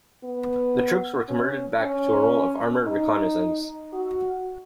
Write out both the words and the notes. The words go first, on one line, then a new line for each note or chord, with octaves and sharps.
The troops were converted back to a role of armoured reconnaissance.
B3
C#4
C#4
D#4
F#4